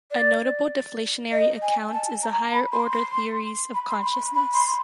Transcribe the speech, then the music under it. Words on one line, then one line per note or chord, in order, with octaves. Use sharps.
A notable deflationary account is the higher-order theories of consciousness.
D5
D#5
G#5
A5
A#5
B5
C6
C6
B5
C6
B5
B5
B5
C6